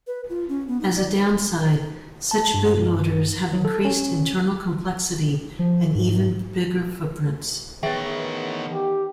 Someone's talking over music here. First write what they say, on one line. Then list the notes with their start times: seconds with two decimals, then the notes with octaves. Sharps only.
As a downside, such boot loaders have increased internal complexity and even bigger footprints.
0.07 B4
0.30 F4
0.49 C#4
0.68 B3
0.81 D#4
0.96 D5
2.31 A5
2.54 G2
3.53 F#3
3.65 A4
3.85 C#4
5.59 F3
5.95 G#2
7.83 D#3 E3 B3 G#4 B4 C#5 E5 G5
8.72 G4